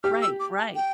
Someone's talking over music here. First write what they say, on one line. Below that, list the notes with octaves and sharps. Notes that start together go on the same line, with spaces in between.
Right, right.
G4 F6
E6
D6
A5
G5